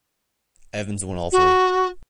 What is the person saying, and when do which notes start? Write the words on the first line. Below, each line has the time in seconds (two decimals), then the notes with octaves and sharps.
Evans won all three.
1.32 F#4